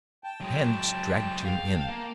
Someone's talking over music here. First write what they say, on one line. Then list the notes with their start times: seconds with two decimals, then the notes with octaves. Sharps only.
Hands dragged him in.
0.24 G5 A5
0.41 F#3 G#3
1.46 F5
1.90 A#3